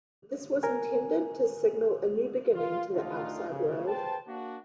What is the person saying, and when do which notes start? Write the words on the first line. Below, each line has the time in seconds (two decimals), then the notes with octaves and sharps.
This was intended to signal a new beginning to the outside world.
0.63 A#4 G#5
2.55 F4
2.94 D2 D#4 F4
3.49 C#3
3.87 B4 C5 G5 A5
4.27 A#3 D4 F#4